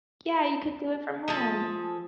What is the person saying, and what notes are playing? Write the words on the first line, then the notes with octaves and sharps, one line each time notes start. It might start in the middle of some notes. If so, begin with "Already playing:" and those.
Yeah, you could do it from home.
F3 G#4 A4